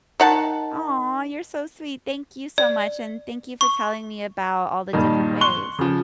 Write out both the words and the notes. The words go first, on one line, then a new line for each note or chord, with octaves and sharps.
Aw, you're so sweet. Thank you so much, and thank you for telling me about all the different ways.
D#3 F#5 A5
D5
C#6
G2 A#2 D#3
C6 C#6 F#6 G7
C#3 F3